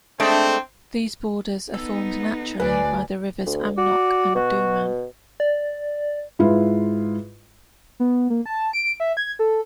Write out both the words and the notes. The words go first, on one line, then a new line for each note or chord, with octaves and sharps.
These borders are formed naturally by the rivers Amnok and Duman.
G#3 A3 C4 D4
B3 D#4 A4
D2 C#4 D4 G#4 B4 D5
D2
F#4 D5
B2 F#4
D5
G#2 E4 F4 B4
B3
A#3
A5
D7
E5
G#6
A4